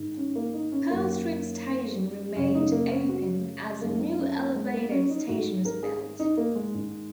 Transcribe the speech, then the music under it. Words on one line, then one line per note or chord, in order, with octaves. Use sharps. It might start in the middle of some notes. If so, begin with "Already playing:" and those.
Pearl Street Station remained open as the new elevated station was built.
Already playing: G#2 D#3
C#4
A#3
D#4
C#4
F#2 D#3 A#3
F#2 C#3 C#4
D#4
A#3
C#4
F#4
F#2 D#3 A#3
D#4
C#4
A#3
G#3
A#3
C#4
D#4
G#2 D#3 F#4
A#4
G#4
D#4
A#3
G#3
G#2 D#3